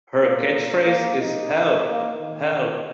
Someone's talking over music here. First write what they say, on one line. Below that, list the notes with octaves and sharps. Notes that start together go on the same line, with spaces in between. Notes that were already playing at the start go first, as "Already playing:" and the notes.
Her catchphrase is Help, help!
A#2
A#3
D#4
A#3
D#3